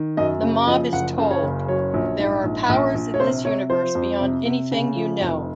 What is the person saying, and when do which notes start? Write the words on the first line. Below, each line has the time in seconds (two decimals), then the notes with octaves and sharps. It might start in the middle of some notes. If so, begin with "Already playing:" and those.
The mob is told, There are powers in this universe beyond anything you know.
Already playing: D#3
0.17 F#2 D#5
0.42 C#3
0.67 F3 D#5
0.93 F#1 F#5
1.18 C#3
1.31 C#5
1.43 F#1
1.68 F#3 C#5
1.94 A#1
2.19 G#2
2.44 A#1
2.69 A#1
2.94 A#1
3.14 C#5
3.20 C3 C5
3.45 C3 C#5
3.70 F3 C5
3.95 F2
4.21 C3
4.45 C3
4.71 C#3
4.96 F3
5.21 F1